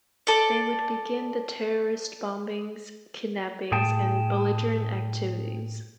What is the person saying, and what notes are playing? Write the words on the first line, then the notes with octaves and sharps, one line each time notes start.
They would begin the terrorist bombings, kidnappings and belligerent activities.
A4 D5
A2 G#4 G5 A5